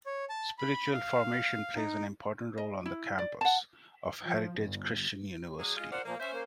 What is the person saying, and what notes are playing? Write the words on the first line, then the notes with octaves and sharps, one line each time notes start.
Spiritual formation plays an important role on the campus of Heritage Christian University.
C#5
A5
B5
F5
D#4
D#5
E4
D5
F#5 A5
F3
G1
F#3 D4 G#4
G#3 F4
F4 A#4 C5 D5 F#5
A#2 F3 A#3
C#4 C5 E5
A#3